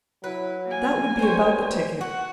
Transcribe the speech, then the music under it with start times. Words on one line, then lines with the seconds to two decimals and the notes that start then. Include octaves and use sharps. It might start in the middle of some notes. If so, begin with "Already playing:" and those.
That would be about the ticket.
0.24 F#3 E4 B4
0.66 A#3 G#5
1.19 G2 C5 C#5
2.01 F#4 F#5